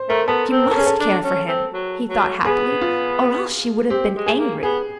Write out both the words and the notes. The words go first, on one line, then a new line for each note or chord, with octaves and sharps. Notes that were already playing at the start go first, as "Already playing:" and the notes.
She must care for him, he thought happily, or else she would have been angry.
Already playing: C5
A3 A#4
B3 A4
C4
A#4
A4
C#4 G#4
A4
D4
C#4
C4
F#3
F#3
B3 G#4
F4
C4 G4
G#3
G#4
A#3
B3 G#4